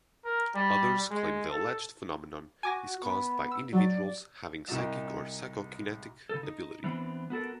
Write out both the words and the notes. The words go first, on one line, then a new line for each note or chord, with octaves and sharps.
Others claim the alleged phenomenon is caused by individuals having psychic or psychokinetic ability.
A#4
G3
G#3
A4
F#4 G#5 D6 A#6
B3
E6
F#3 D5
C2 D#4 F#4 D#5 E7
C#3 A4
D#4
E3 B3 C4 D4
B3 F#4 A4 A#4